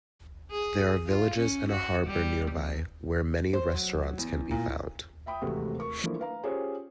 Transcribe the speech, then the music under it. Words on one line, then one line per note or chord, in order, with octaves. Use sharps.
There are villages and a harbour nearby where many restaurants can be found.
G#4
F4
C#4
F#4
G3
E2
C5
F#3
E2
A#2
E5 G5 B5 D#6
G#1 E2 C3 A3 F#4
A#4 C#6
F3 A3 A#3 D4 E4
B4 F5 A#5
C#4 F4 G4 G#4 C5 C#5